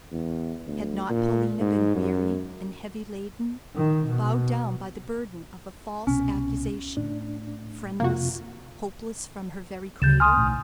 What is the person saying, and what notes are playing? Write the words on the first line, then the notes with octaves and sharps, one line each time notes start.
Had not Paulina been "weary, and heavy laden," bowed down by the burden of a false accusation, friendless, hopeless, from her very cradle?
E2
D2
A#2
G#2
F#2
D#3
B2
C2 B2 C#4
A2 D4
F2 C3 A#3 F4 F#4
D2 C#3 G6 A6 E7
G#5 C6 D#6 F6
B1 A2